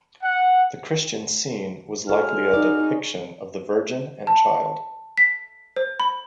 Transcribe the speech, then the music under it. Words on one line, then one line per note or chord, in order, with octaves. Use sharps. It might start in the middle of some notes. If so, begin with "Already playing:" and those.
The Christian scene was likely a depiction of the Virgin and Child.
F#5
F#3 G#3 A4 F6
D#4 D5
A5
B6
C5
B5